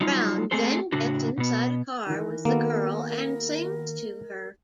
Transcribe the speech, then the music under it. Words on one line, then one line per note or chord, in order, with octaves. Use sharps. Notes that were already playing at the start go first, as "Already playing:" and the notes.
Brown then gets inside a car with the girl and sings to her.
F#3 G3 D#4 F4
A3 C4 G#4 A4 C5
A2 C#3 D4 F#4
B2 B3
D#3 E3 A#4
D#3 A#3 B3 F#4 A4